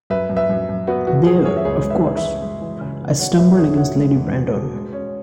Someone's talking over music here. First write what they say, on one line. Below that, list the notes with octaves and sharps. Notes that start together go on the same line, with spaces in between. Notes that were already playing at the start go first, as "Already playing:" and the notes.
There, of course, I stumbled against Lady Brandon.
F#2 B4 E5
F#2
B4 E5
F#2
F#2
B3 F#4 B4
E3 F#4
E3 G#4
F#2 G#4 C#5
E5
C#2 G#4 C#5
G#3
B4 E5
E3
B4 E5
C#2
G#3
E3
C#3
E3
B2 C#5 F#5
B2 B4 E5
E2 G#4 C#5
B2 C#5 F#5
G#3
E2
B2
B2
G#3
C#4